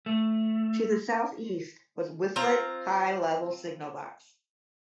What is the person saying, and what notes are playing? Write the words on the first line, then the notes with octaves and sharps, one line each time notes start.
To the southeast was Whifflet High Level signal box.
A3
C4 F4 A#5